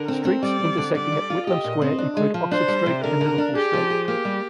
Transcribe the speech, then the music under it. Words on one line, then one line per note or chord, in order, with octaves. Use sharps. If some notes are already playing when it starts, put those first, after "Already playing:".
Streets intersecting at Whitlam Square include Oxford Street and Liverpool Street.
Already playing: D3 A#4
C4
C4
G3 D5
C4
D3
G3 D5
G3
F4
G4 D#5
A#2
C4
D4
G#3
F3
D4 C5
G3
C3
D3 A#4
D3
D4
G4 G#4
F3
G#4
A#3 G4
G3